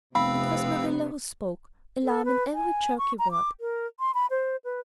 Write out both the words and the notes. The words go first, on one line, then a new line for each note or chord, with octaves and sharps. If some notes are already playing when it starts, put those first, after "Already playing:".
It was Marilla who spoke, alarm in every jerky word.
F1 C3 B3 C4 F5 B5 E6
A4
B4
G#5
C#6
A#5
D6
A#4
C6
B5
C5
B4